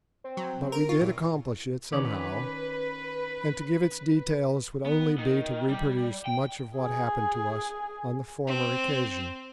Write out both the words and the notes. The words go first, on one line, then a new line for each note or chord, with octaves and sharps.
But we did accomplish it somehow, and to give its details would only be to reproduce much of what happened to us on the former occasion.
C4
F#3
A#4
F4 C#6
A#2 E4
D#3 C#4 B4 D5
B3
D#3
G3
G5
G#4
C4